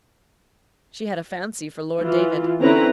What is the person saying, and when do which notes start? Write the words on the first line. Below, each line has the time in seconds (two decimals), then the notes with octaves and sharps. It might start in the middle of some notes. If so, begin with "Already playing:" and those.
She had a fancy for Lord David.
2.00 E3 F4
2.61 D3 C4 C#4 E4 B4 A#5